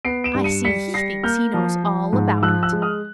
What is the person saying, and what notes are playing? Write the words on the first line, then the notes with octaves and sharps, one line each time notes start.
I see he thinks he knows all about it.'
B3 C7 D7
D7 E7
G2
C#7 D#7
G3 B6 C#7
G3 A#6 C7
A#3 F6 G6
F3
F3
G#2
F3 E6 F#6
E6 F#6
G#3
D#6 F6